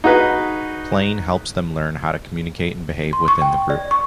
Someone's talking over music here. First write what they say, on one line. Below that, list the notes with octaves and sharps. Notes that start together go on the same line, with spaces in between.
Playing helps them learn how to communicate and behave within the group.
D#4 F#4 G#4 B4
C6
C#6
G5
D5
C#6